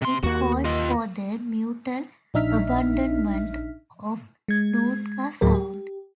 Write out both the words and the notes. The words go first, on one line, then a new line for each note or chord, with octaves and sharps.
It called for the mutual abandonment of Nootka Sound.
C3 C6
D#2 A#3 F#4
F4 D#5
A#1 D4 D#4 E5 F6 B6
G#3 G#6
D2 A2 F#3 G#4 A#4
G4